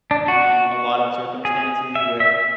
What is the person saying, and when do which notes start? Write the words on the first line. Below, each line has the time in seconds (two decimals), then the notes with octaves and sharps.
in a lot of circumstances where,
0.11 D4
0.28 F#4
1.45 G#4
1.95 E5
2.20 E5